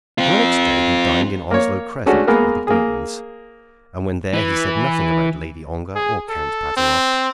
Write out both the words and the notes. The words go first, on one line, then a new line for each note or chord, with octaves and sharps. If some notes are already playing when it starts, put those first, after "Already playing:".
On the next day he dined in Onslow Crescent with the Burtons, and when there he said nothing about Lady Ongar or Count Pateroff.
C4 F4
A#3 C#5
G#3 A3 C#4 D4 F#4
G#3 A#3 B3 G#4 A#4
A#3 G#4
E3
G#4
A4
C4